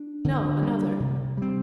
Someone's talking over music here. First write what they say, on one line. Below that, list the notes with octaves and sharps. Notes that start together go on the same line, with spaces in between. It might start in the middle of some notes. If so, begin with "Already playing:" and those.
"No, another."
Already playing: D4
D3
G3 D4
C3
G3 C4